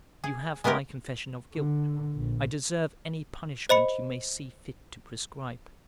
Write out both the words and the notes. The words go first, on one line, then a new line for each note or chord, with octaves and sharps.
You have my confession of guilt, I deserve any punishment you may see fit to prescribe.
G#4
G#3 B3 E4 G4 A#4
D3
A#1
C5 D#5 B5 C#7